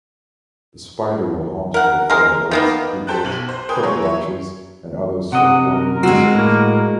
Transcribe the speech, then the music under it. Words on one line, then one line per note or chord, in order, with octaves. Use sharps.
The spider will hunt for firebrats, crickets, cockroaches, and other soft-bodied insects.
A#4 F#5
G#3 A#4
D#3 A#3 B3
G4 A4 C5 G5 A5 F#6
B1 F#7
C5
A#4 B4 G5 G#5 C6 D#6
F#3 A#3 G#4 C#5
E4 C#5
C3 D#5 F#5
A#4
D3 G#3 C4 F#4
A2 A#3